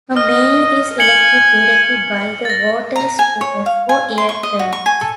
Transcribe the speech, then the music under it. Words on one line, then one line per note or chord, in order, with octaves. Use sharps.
A mayor is elected directly by the voters to a four-year term.
D#5 F6
G#5 C#7 F#7 G7
A6 A#6
A#5
G#5
C#5
F5
G#5
C6
C#6
D#5
F#4
C#6
G#5
A4